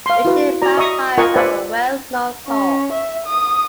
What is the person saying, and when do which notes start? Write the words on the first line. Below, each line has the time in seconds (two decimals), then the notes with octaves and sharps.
Eurasian magpies have a well-known call.
0.06 F5 C6
0.25 E4 F#4 B4
0.62 F#4 D5 A#5
0.77 D#5 E5 A#5 C#6 D#6
1.18 F4 A#4 D#5 F#5 G#5 C#6
1.36 B4 C5 D5 E5 F#5 G#5
2.47 C#4
2.92 E5
3.26 D#6